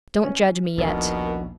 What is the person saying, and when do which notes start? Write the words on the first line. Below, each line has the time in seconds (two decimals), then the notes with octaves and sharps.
Don't judge me yet!
0.23 C#4
0.78 A#1 D#2 B2 A#4